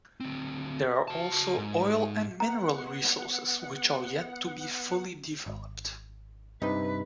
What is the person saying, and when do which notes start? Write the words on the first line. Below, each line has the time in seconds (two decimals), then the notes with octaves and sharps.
There are also oil and mineral resources which are yet to be fully developed.
0.20 D2 C4
1.08 F#4 A5
1.58 G#2
2.40 B3 F#5 A#5
5.46 G#1
6.62 G2 C3 D#4 B4